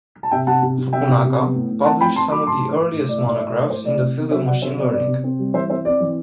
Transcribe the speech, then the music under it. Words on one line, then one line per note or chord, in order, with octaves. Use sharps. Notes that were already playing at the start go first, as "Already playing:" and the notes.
Fukunaga published some of the earliest monographs in the field of machine learning.
A5
C3 E5 G5
C3 F#5 A5
C3
C3
C3 E5 G5
C3
C3
B3
A2
A2
C4 F#5 A5
A2 G5 B5
A2 A5 C6
F#3 B5 D6
A2 A5 C6
A2
A2
A2
A2 D5
E5
A2 D5
A2 E5
D5
A2
A2 C5
A2 D5
C3
B3
F#3 C5 E5
F#3 D5 F#5
C3 C5 E5
B3 D5
C3 D5
C3
C4
G3
E3 C5 E5
C4 C5 E5
C4 D5
E3